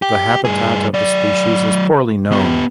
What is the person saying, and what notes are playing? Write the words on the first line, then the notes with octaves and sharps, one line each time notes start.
The habitat of the species is poorly known.
G4
G2 G#4
F#3 D5
B3 G4